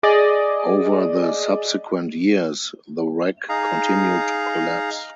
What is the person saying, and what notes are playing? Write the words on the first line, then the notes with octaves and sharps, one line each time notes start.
Over the subsequent years, the wreck continued to collapse.
G#4 D5 D#5
D#4 G#4 F5 A#5